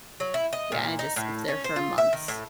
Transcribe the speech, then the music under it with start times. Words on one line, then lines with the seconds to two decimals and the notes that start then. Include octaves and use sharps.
Yeah, and it just sits there for months.
0.20 F#3
0.34 E4
0.53 D#5
0.72 A#2
0.99 D#4
1.16 A2
1.48 C#4
1.64 C5
1.76 F4
1.98 E5
2.13 D#3
2.28 A2